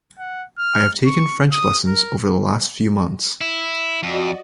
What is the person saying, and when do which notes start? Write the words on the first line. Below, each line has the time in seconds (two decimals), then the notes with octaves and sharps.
I have taken French lessons over the last few months.
0.19 F#5
0.58 F6
1.06 C#6
1.52 D#6
1.87 A#4
3.41 E4
4.03 F2 F#4 D5 D#5